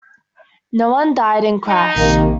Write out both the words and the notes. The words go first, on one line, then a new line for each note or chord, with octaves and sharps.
No one died in crash.
D#4
A#1 C3 D#3 A#3